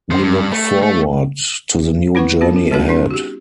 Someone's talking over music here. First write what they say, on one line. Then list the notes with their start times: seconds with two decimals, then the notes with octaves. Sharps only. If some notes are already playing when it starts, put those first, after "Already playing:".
We look forward to the new journey ahead.
0.11 D#3 C5
0.24 G2
0.52 A3
0.82 A3
2.15 C4 E4 B4 F#5 C#6
2.41 B3 C4 F4 F#4
2.56 F4
2.71 G3 B3 C#4 D4 F#4 A4
2.89 C#4 D#4
3.11 F#4 G4